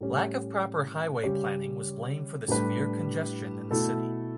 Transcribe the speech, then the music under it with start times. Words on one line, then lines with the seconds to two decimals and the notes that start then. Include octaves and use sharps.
Lack of proper highway planning was blamed for the severe congestion in the city.
0.01 A2 G3 C#4 G4
1.24 C#3 G3 C#4 G4 C#5
2.48 A2 G3 D4 G4 B4
3.71 B2 A3 E4 A4